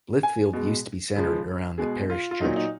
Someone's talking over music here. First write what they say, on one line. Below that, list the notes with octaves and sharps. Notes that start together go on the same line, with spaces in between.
Blithfield used to be centered around the Parish Church.
G#5
B2 G#3
C#3 F3 G#3
B2 G#3 G#4
F4
F4
A#2 F#3 D#4
D#4